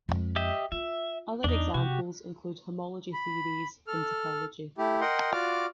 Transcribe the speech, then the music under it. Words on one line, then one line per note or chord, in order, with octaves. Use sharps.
Other examples include homology theories in topology.
F2 G#3
G4 D#5 E5
F4 E5
E2 D4 D#4
C3 F#4 G4
B5
A4 F6
A3 E4 G4
A#4 D#5 F#5 G5 C6
F4 F#4 D5 D6 F6